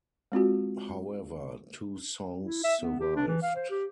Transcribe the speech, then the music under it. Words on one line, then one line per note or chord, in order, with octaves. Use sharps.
However two songs survived.
G#3 C4 F4 F#4
E4
E5
B3
G4
D4
E3
F5
C5
G4